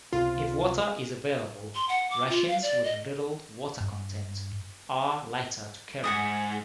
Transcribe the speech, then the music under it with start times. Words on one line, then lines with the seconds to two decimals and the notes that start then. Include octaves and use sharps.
If water is available, rations with little water content are lighter to carry.
0.13 C#2 C3 F4
1.75 C6
1.89 F#5
2.10 D6
2.30 F4
2.47 F5
2.63 D5
2.84 D#5
3.81 G2
6.04 G#2 F#5 G#5 D#6